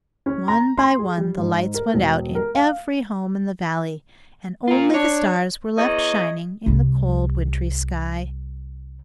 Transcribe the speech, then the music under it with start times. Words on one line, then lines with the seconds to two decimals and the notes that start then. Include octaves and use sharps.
One by one the lights went out in every home in the valley, and only the stars were left shining, in the cold wintry sky.
0.26 C#4
0.48 A#5
0.77 C6
0.99 G#4
1.18 G3
1.38 G#2
1.74 A#4
1.94 E1
2.35 A#4
2.55 F5
4.68 F4 A#4
4.94 D4 C#5
5.77 E2 C#5 D#5
6.66 C2 G3